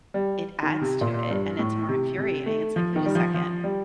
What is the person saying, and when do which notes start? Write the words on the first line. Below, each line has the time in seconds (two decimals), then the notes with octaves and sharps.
it adds to it, and it's more infuriating. It's like, "Wait a second.
0.14 G3
0.63 D#3
0.81 C3
1.01 A#2
1.31 G2
1.59 A2
1.89 C3
2.18 C3
2.46 A3
2.76 F3
2.96 D#3
3.06 G3
3.15 F3
3.34 F3
3.64 G3